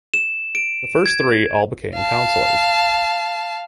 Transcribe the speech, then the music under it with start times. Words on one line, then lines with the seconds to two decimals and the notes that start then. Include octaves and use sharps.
The first three all became councilors.
0.14 E7
0.55 D7
1.06 G#6
1.94 F5 A5